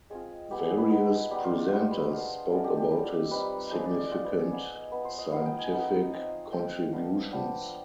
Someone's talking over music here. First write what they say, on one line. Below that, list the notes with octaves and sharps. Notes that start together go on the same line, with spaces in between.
Various presenters spoke about his significant scientific contributions.
G#3 C4 F4 G#4
G#3 B3 D#4 G4
G#4
B4
G#3 B3 D#4 B4
G3 B3 D#4 G4
F4
F4
G3 B3 D#4 G4
B4
G#3 B3 D4 F4 C5
G#3 B3 D4 F4 D5
G4
G4
G3 C4 D#4
G3 C4 D#4 B4
F3 C4 F4 G#4
D5
D5
F3 C4 F4 C5
B4
G#4
B3 D#4 G#4
B3 D#4 B4
C5
D#5
B3 D#4 F5
G5
G#5
B3 D#4
F3 C4 D#4
F3 C4 D#4 G5
F3 B3 D4 F5
F3 B3 D4 G5